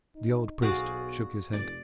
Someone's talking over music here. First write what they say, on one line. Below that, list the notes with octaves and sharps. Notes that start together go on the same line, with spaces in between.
The old priest shook his head.
D#4
B1 F#4 G#4 D5 F5
F1 D5